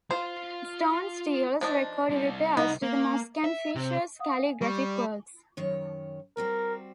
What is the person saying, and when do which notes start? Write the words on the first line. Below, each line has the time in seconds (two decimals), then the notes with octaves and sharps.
Stone steles record repairs to the mosque and feature calligraphic works.
0.11 F4 C5 F5
1.61 F3 D4 D#4
2.10 C3 G3
2.57 B3 D#4
2.82 A#3
3.44 E5
3.75 C3
4.19 F5 F#5 D#6
4.44 G#5
4.62 G3 C#6
5.57 F#2 D#3 C#5
6.37 G3 C4 F#4 A#4